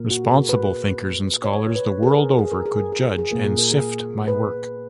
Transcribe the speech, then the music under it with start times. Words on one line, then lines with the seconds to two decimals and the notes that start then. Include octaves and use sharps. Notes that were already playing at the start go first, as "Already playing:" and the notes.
Responsible thinkers and scholars the world over could judge and sift my work.
Already playing: A#2 A#3 A#4
0.11 F#4
0.24 G#4
0.37 A#4
0.49 B4
1.44 C#5
1.76 B4
2.03 G#4
2.07 A#4
2.39 G#4
2.52 A#4
2.66 G#4
2.79 A#4
2.92 G#4
3.05 A#4
3.18 G#4
3.32 A#2 A#3 A#4
3.45 G#4
3.59 A#4
3.72 G#4
4.28 B4